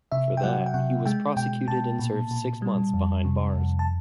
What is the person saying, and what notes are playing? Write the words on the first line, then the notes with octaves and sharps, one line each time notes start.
For that, he was prosecuted and served six months behind bars.
C3 E5
G5
F#3 F#5
G5
C3 F#5
G#3 G5
B2 G5
B2 A5
A#2
A#2
G3
F2
C3
F2
A5